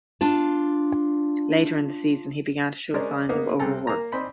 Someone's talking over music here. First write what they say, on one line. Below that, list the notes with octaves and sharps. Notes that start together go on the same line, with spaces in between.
Later in the season, he began to show signs of overwork.
D4 F4 A5
G#3 C#4 D4 A#4 C5 D5
A#3 B3 D#4
C2 C4 G#4 A4 A#5
A#3 A#5
C4 D4 D#4 C5 B5